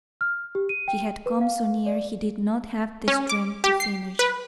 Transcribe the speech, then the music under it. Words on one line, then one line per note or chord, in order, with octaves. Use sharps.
She had come so near he did not have the strength to finish.
F6
G4
D#7
G5
B4
F5
D5
C#4
D6
G4
C7
B4